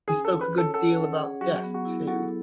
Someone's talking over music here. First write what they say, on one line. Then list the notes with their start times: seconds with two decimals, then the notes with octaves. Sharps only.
He spoke a good deal about death, too.
0.08 C#4 G#4
0.25 A4
0.30 G#4
0.41 B4
0.52 C#5
0.58 A4
0.74 A4 F#5
0.96 C#4
1.19 G#4
1.41 F#3 F#4
1.63 B3
1.74 F#4
1.85 E4
2.07 F#4 A4